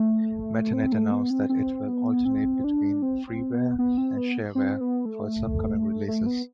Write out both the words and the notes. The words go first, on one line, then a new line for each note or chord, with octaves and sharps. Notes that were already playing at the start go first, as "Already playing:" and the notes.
Metanet announced that it will alternate between freeware and shareware for its upcoming releases.
Already playing: A3
C4
A3
B3
C4
C4
B3
C4
D4
C4
C4
B3
B3
C4
B3
C4
B3
A3
A3
B3